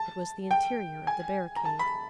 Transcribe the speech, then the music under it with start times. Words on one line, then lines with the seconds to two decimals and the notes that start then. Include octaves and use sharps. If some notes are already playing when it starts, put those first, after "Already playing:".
It was the interior of the barricade.
Already playing: A5
0.51 G5
1.07 G#5
1.56 A#5
1.65 A5
1.79 B5